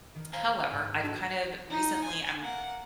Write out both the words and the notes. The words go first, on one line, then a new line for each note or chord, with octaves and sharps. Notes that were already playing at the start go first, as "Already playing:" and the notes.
however, I've, kind of, recently I'm
D#3
C5 F5 G#5 A#5 C6 F#6
G#2
B3 D4 E4 F#4 A4
D#4
G#5 C6
A#3 F#5